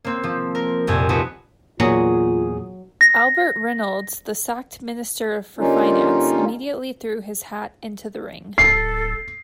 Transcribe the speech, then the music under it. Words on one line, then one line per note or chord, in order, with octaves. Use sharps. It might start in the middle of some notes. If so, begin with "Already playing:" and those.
Albert Reynolds, the sacked Minister for Finance, immediately threw his hat into the ring.
A#3 C4
F3
A#4
C2 F2 A#2 G#5
F2 C4 D#4 F#4 B4
E2 A#2 F#3 F4 G#4 D#6
A#6
D3 G3 A#3 C#4 D#4 F4
D1 A4 C7